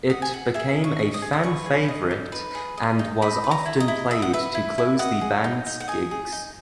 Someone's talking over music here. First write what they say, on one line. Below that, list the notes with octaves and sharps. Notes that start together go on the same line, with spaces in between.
It became a fan favourite and was often played to close the band's gigs.
D#5 F#5
G#5
G#4 F#5
G#4 E5
D#5
C#6
D#5
D#6
G#4
D#6
B4 C#6
G#4
D#5
D#4
B4
G#4
D#5
D#4
D#5 B5
B4
A#5
E4
D#5
E4
D#5 E5
F#5
B4 E5
E4
E4
D#5 F#5
G#4
D#4
D#4
F#5
D#5 G#5
G#4
D#4